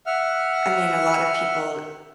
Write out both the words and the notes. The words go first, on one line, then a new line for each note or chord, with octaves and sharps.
I mean, a lot of people
E5 F#5 F6